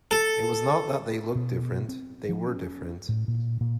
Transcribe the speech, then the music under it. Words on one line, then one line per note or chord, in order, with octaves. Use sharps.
It was not that they looked different; they were different.
A4
B2
C4
F3
C#4
A2
A#2
A#2